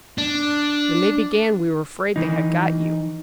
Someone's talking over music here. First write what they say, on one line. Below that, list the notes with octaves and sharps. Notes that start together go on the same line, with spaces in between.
When they began we were afraid they had got you.
D4
E3 D#4